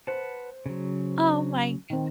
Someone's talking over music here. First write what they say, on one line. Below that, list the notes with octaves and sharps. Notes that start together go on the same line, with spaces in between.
Oh my goodn
B4 C5 F#5 A5
C#3 F#3
D#3 C4